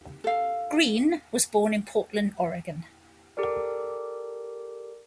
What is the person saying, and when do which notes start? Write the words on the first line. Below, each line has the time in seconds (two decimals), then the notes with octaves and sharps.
Green was born in Portland, Oregon.
0.24 A4 F5
3.37 G4 A4 A#4 D5